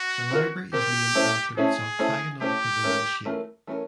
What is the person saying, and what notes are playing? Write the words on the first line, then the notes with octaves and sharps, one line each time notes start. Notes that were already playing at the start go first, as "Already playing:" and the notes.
The library is named after its octagonal pavilion shape.
Already playing: F#4
C4 F4 A#4
C4 F4 G4 A#4
A3 C#4 E4 A4 C5
A3 C#4 E4 G#4 A4 C5
A3 C#4 E4 A4 C5
A3 C#4 E4 G4 A4 C5
E3 A3 C#4 F4 A#4
E3 A3 C#4 F4 A#4
E3 A3 C#4 F4 A#4